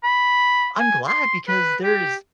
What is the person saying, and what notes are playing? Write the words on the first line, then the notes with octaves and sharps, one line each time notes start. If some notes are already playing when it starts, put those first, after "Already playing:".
I'm glad because there's
B5
G#5
C6
B4
G4